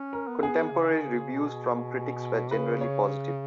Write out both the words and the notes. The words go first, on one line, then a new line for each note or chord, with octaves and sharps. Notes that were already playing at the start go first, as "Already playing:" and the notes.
Contemporary reviews from critics were generally positive.
Already playing: C#4
A#4
B3
G#4
C#3
D#3
C#3
B2
C#3 B4
C#5